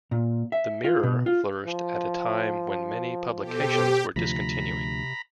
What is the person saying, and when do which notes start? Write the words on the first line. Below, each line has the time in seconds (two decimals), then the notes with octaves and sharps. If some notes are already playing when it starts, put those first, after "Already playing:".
The "Mirror" flourished at a time when many publications were discontinuing.
0.11 A#2
0.52 E5
0.84 F4
1.03 B2
1.26 F4
1.67 F3
3.43 B2 G4 A4 C5
4.16 D2 C3 F3 A#5 B5